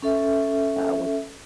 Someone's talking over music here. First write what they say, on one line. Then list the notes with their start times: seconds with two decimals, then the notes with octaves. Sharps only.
uh, when
0.02 C#4 A4 E5